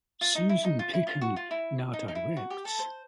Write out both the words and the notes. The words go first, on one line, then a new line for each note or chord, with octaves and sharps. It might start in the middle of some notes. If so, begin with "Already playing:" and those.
Susan Picken now directs.
F4
D#4
E4
D#4
F4
E4
F4
F#4
F4
E4
D#4
D#4
E4
F#4
G4
A4
C5